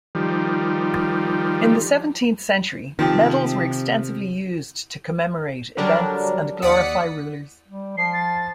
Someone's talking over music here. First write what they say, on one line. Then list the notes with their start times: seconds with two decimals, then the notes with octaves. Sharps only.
In the seventeenth century medals were extensively used to commemorate events and glorify rulers.
0.15 D#3 F3 G3
2.99 C3 D#3 F3 C4 G4
5.77 D3 F#3 G3 D4 G4 A#4
6.62 D#2 D5 F#5 D#6 B6 C#7
7.68 G3
7.97 F3 C7
8.13 A6